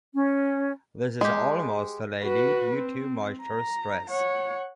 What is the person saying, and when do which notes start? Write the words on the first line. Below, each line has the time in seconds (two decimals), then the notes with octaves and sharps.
This is almost solely due to moisture stress.
0.14 C#4
1.21 G#3 G4
2.23 F#4 B4
2.77 C4
3.44 A#5
4.11 C#5 F#5